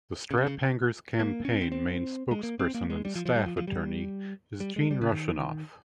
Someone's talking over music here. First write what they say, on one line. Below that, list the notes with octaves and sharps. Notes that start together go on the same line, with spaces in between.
The Straphangers Campaign's main spokesperson and staff attorney is Gene Russianoff.
C#3
C3
C#3
A#3
C#4
C4
C4
C4
G#3
A#3
C4
A#3
G#3
G3
F3
F3
G3
F3
F3
G3
G3
G#3
G3
C#3
D#3